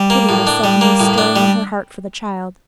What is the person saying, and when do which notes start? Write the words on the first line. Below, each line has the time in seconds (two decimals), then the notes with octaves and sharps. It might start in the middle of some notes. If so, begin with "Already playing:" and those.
Pity was suddenly stirring in her heart for the child.
Already playing: G3
0.10 A#3
0.29 A2
0.47 D4
0.64 G3
0.81 A#3
1.00 A2
1.18 D4
1.36 G3